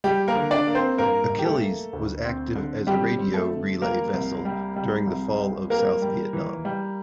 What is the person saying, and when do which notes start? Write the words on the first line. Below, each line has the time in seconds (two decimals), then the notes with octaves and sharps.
"Achilles" was active as a radio relay vessel during the fall of South Vietnam.
0.04 G3 G4
0.28 A#3 A#4
0.36 D3
0.51 D4 D5
0.67 A#3
0.75 C4 C5
0.98 G2 A#3 A#4
1.30 G2
1.39 G4
1.45 A3 A4
1.61 A#3
1.93 D2
2.25 C4
2.56 D3
2.87 G3 C4 G4
3.19 C4
3.34 A3 A4
3.50 D3
3.82 G3 A#3 A#4
4.13 C2
4.45 G3
4.76 G3
5.07 C2
5.39 G3
5.70 G3 A#3 A#4
6.02 G3
6.33 E3
6.65 G3